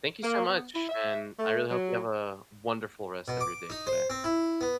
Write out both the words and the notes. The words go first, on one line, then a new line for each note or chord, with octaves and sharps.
thank you so much, and I really hope you have a wonderful rest of your day today.
A#3
B3
E4
E5
A3
F#3
B2
D6
D#4
C5
C4
E4
B3